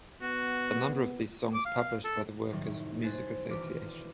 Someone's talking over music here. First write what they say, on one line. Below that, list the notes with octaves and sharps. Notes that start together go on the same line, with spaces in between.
A number of these songs published by the Workers Music Association.
B3 F#4
D6
F5
A4
C2 F#2 A2 D#3 F#3 G3
C5 G#5 F#6 A6
E1 E2 F#4 D6 F6 B6